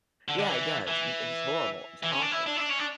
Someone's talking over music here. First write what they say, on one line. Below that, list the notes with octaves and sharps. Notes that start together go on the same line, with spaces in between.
Yeah, it does, it it's horrible, it's awful.
D3
D3
E3
E3
E3
C#4
D4
E4
D4
E4
D4
C#4
D4